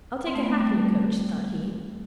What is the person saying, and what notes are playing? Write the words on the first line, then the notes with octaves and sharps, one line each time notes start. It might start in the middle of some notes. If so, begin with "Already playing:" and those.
"I'll take a hackney-coach!" thought he.
C4
A3
B3
G3